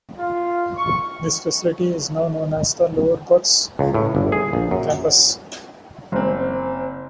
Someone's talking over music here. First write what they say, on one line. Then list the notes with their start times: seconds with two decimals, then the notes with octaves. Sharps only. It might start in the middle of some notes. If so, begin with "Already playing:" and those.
This facility is now known as the Lower Bucks Campus.
0.18 F4
0.76 C#6
3.79 C#2
3.94 A2
4.15 G1
4.32 G#4
4.53 A#1
4.71 F#2
6.12 F#1 C4